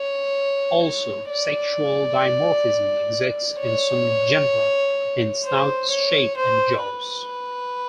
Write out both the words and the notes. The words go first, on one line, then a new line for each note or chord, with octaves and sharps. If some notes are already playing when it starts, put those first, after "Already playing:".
Also, sexual dimorphism exists in some genera in snout shape and jaws.
Already playing: C#5
C#5
D5
C#5
C5
C#5
C5
B4